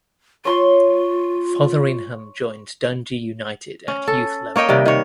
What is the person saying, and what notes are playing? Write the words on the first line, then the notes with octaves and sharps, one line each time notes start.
Fotheringham joined Dundee United at youth level.
F4 C#5 C6
C#4
A4
A#3 C#5 D#5 G5
C3 D#3 G3
D#3 C#5